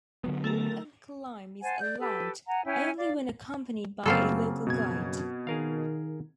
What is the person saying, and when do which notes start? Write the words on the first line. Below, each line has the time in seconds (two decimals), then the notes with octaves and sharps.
The walk and climb is allowed only when accompanied by a local guide.
0.24 D3 F#3 B3
0.44 A3 A4 A#4
1.62 C5 F#5 G#5 A5
1.80 D5 G6
1.99 G4 A4 B4
2.47 F#5 G#5 A#5
2.65 C#4 E4 G5 G#5
2.97 D5 F5 D6
4.06 F#2 C#3 F#3 A#3 C4 F4 A4
4.67 F#2 B2 G#6
5.47 D#3 G#4 A#4 F5